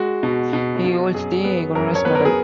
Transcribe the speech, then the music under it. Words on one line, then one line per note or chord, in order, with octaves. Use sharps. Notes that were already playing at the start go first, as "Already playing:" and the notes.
He holds the Gunnerus Medal.
Already playing: G#3 F#4
B2
B2
B2
F#2 G#4
B3
F#2 A#4
C#5
B3 B4
A#4
G#4